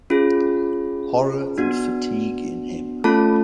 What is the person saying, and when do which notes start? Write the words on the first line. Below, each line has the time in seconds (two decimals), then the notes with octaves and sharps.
Horror and fatigue in him.
0.10 C#4 F4 G#4
1.58 B3 D4 F#4
3.04 A3 C#4 F4 A4 A5